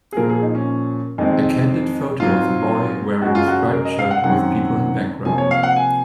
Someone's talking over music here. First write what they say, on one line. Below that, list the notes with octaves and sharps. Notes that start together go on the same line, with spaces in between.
A candid photo of a boy wearing a striped shirt with people in background.
G#4
A#2 F3 A#3 A#4
G#4
D#4
C#4
F2 D#3 G#3 C4 D#4
G#2 F#3 C4 F4
F#2 C#3 G#3 C#4 F#4
F4
F#4
A#4
D#5
F5
F#5
F#2 D#3 F#3 C4 F#5
C3 F3 A#3 G#5
C#5
F5
F#5
G#5